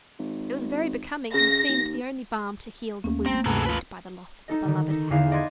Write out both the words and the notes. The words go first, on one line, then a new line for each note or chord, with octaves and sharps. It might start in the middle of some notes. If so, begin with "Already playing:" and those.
It was very becoming, and seemed the only balm to heal the wound made by the loss of the beloved hat.
G#1
C#3 A#6
D#2
D#2 A3 A#3 C#4
A1 A3 A#3 C4 A#6
D2 G2 C3 G#4 A4 B4 A#5
G#1 F4 B4 A5
D#4 A4 D#5
D3 D#3
D#4 A4
E2 D3 D#4 E4 G#4 F5
D5 D#5 F#5 C6 G#6 A6